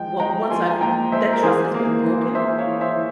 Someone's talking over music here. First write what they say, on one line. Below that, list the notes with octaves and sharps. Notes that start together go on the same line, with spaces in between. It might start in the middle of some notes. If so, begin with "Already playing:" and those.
well, once I've that trust has been broken,
Already playing: F3 G#3 G5
G#3 G5 A#5
F3 G#5 C6
G#5
A#2 G5 A#5
G#3 C5 E5
A#4
E3 G#4 C5
A#3
E3
A#3 C5 E5
C#5 F5
E3
C5 E5
E3